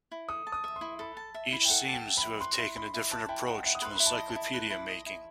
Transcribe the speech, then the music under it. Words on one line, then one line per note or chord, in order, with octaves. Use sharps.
Each seems to have taken a different approach to encyclopedia-making.
E4
A4 D#6
A5
D#6
E5
C6
E4
A4 B5
A5
E5
E4
G5
A4 F#5
A5
G5
E5
B5
E4
B4 C6
E4
D#5 B5
E4
B4 A5
E4 G5
D#5 F#5
E4 F#5
D#6
B4 C6
E4 B5
A5
D#5
A5
E4
B4
E4
D#5
E4